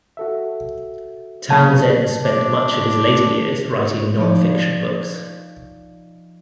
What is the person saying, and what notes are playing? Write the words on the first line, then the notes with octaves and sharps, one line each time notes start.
Townsend spent much of his later years writing non-fiction books.
F#4 A4 E5
A2 F#3 A#3 A5
D4
F3 D#4 C#5 D5